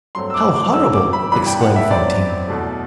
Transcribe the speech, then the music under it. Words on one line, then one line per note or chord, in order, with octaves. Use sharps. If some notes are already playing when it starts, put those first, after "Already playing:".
"How horrible!" exclaimed Fantine.
G2 F#3 A3 C4 C6
E6
D6
D6
F#2 F#3 A3 C4 E6
D6
B5
G2 E3 B3 D4 B5
G5
F#5
E5
F#2 F#3 C4 D5
E2 B2 A3